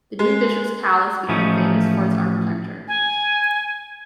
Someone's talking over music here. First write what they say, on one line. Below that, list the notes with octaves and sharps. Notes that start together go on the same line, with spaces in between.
The new bishop's palace became famous for its architecture.
G#3
A2 E3 F3 A3 C#4 D#4
G#5